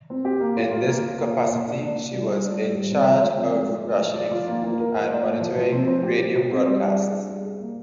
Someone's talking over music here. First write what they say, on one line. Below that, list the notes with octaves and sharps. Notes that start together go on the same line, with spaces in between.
In this capacity she was in charge of rationing food and monitoring radio broadcasts.
C4
G4
A#3
F4
F4
A#3
F4
A#3
A#3
A#2
D4
D4
D4
G3
F4
D4
G3
G3
C4
F3
G#3
C4
G#3
G#3
G#3
F3
D5
F4
A#3
A#3
A#4
F4
D5
A#3
F3
F3
C4
C5
G4
C5
C5
C4
G3
D4
G#4
G3
G#4
G#4
A#3